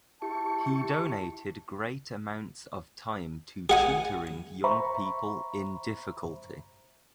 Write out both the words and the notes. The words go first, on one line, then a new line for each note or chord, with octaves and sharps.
He donated great amounts of time to tutoring young people in difficulty.
E4 G4 A5 C#6
G#4 F#5 G#5
C5 E5 A#5 B5 C#6